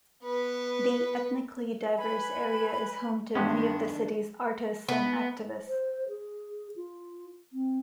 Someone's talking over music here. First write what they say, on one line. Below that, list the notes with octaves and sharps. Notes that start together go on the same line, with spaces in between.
The ethnically diverse area is home to many of the city's artists and activists.
B3 B4
B4 G#5 B5
G2 D#3 G#3 B3 C#4 D4 G4
B3
C5
G#4
F4
C4